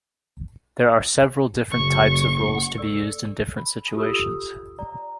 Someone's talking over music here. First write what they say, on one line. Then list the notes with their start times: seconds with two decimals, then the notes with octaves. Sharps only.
There are several different types of roles to be used in different situations.
1.71 F#1 C#6
2.78 A4 D5 E6
3.57 B5
3.95 F4 G4 A4 D#6 E6
4.79 D5 A#5